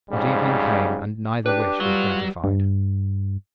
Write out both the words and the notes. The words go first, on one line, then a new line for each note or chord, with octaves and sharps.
But evening came and neither wish was gratified.
F2 G#2 C#3 G3
D4 G4 B4
F#3 G3 F4
G2